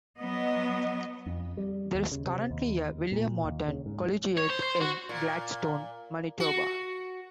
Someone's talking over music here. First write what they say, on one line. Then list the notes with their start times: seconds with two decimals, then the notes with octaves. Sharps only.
There is currently a William Morton Collegiate in Gladstone, Manitoba.
0.19 F#3 B3 D#5
1.26 F2
1.57 G3
1.95 D#2
2.12 C#3
2.26 C3
2.51 D#2
3.12 A#2
3.45 D#2
3.68 C#3
3.86 G#2
4.37 C#5
4.50 C5
4.63 C5
4.81 F#4
5.09 A#2
6.40 F#4